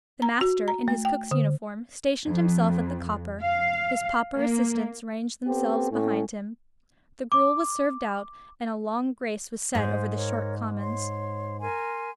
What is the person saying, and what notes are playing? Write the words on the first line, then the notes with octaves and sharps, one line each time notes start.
The master, in his cook's uniform, stationed himself at the copper; his pauper assistants ranged themselves behind him; the gruel was served out; and a long grace was said over the short commons.
A#5
F#4
A#5
A3
G5
D3
F2
F5
A#3
B3 C4 G4 A4
A2 C#4
D6
G#2 C5
A#4 C#5
C#5 C6
A#4 G#5 C6